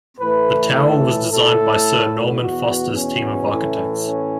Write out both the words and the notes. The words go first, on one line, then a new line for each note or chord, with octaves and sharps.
The tower was designed by Sir Norman Foster's team of architects.
A2 E3 A3 B4
A4
A2 A3 A4
E2 B2 B3 F#4
C#4
A2 E3 A3
C#4